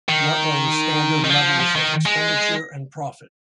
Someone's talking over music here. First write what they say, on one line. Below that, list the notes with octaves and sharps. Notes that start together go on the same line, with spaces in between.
What are the standard levels of expenditure and profit?
D#3
D#3
F3
F3
D#3
G#3